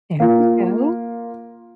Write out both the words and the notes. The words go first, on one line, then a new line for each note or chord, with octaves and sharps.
There you go.
A#3 F4